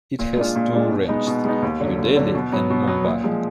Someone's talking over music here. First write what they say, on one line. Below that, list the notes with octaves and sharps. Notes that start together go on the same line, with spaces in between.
It has two ranges: New Delhi and Mumbai.
A#2
G#3 D4 F4
A#2
G#3 D4 F4
B2
G#3 B3 D#4
B2
G#3 B3 D#4
D#2
D3 F#3
D#2
D3 F#3
B2
F#3 B3
B2
F#3 B3
A#2
F3 G#3